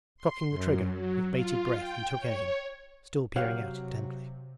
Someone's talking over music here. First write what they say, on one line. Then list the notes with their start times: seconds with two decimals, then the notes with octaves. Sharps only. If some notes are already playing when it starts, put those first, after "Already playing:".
Cocking the trigger, with bated breath he took aim, still peering out intently.
0.17 C6
0.49 F#2
0.90 F#3
1.32 F4
1.79 G5
2.16 C#5
3.36 C3 F#3 G4 C#5 F5 F#5